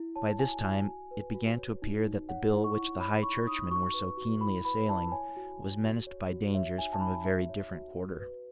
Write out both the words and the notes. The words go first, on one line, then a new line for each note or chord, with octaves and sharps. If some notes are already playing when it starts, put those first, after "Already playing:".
But by this time it began to appear that the bill which the High Churchmen were so keenly assailing was menaced by dangers from a very different quarter.
Already playing: E4
C#5 A5
F#4 G#5
F#4 G#5
F#4
B4
F#4
C#5
D#4
D#4
C#5 F#5
E4
C#6
E4
C#5 B5
D#4 C#6
D#4 D#6
F#4 C#6
B4
F#4
E4 B5
B4 B5
E4 A5
C#5 G#5
F#4
F#4
F#4
C#5
F#4
C#5 E5
D#4 G#5
A5
D#4 B5
F#4 E5
C#5
F#4
F#4
B4